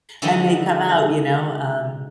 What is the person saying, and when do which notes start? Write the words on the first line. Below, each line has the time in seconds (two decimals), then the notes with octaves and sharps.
and they come out, you know, um,
0.22 D3 E3 F#3 G#3 D#4